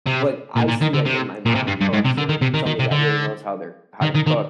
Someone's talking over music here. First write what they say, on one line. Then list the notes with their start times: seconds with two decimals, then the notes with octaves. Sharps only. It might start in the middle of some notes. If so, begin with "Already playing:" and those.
but I see, like, when my mom cooks or somebody that really knows how they're how to cook,
0.07 C3
0.57 A#2
0.69 A#2
0.82 D#3
0.94 D3
1.06 C3
1.46 A#2
1.55 C3
1.67 G2
1.81 G2
1.93 G#2
2.05 C3
2.17 D3
2.29 D#3
2.42 C3
2.54 D#3
2.67 D#3
2.80 C3
2.91 D3
4.02 D#3
4.15 D#3
4.27 D#3